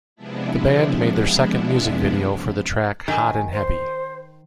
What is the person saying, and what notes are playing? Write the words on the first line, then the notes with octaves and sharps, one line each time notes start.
The band made their second music video for the track "Hot and Heavy".
C3 F3 G#3 B3 D4 E4
D#3 G#5
C5